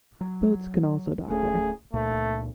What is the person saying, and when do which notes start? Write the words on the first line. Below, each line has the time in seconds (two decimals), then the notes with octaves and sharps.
Boats can also dock there.
0.21 F#3
1.29 D1 A3 C#4 G#4
1.94 C#2 A#2 A3